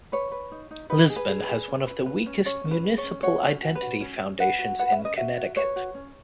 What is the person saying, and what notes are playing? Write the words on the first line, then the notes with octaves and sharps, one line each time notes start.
Lisbon has one of the weakest municipal identity foundations in Connecticut.
B4 C#5
B4
D#4
D#4
D#4 B4
G#4
B4
G#4
B4
G#4
C#4
B4
B4
C#4
C#4 C#5
C#4
B4
G#4
C#5
C#4
F#4 C#5
C#4
F#4
B4
F#4
C#4
C#4
B4 F#5
F#4
B4 F#5
E5
C#4
D#5
F#4 E5
F#4
B4 C#5
F#4
C#4